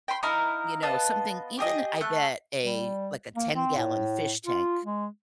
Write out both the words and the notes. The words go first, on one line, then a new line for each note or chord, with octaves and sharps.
you know, something even I bet a like, a ten-gallon fish tank,
G5 B5 C6
D#4 E4 A#4 F5
B3 F4 D#5 A5
G4 G#4 D#5
A3 F#6
G3
A#3
C4
A2
F4
G#3